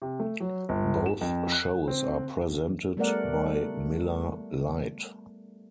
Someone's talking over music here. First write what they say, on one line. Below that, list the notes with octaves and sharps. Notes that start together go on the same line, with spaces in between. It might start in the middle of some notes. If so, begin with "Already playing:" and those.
Both shows are presented by Miller Lite.
C3
A3
F#3
G1
E7
F2
F#6
C4
G3 A3 B3 A#4 D5 F#5